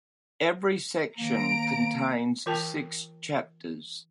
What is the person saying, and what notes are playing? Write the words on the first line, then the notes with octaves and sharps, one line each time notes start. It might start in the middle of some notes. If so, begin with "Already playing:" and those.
Every section contains six chapters.
D#3 F3 A#3 A#5 D7
E3 F4 A#4 G5 A5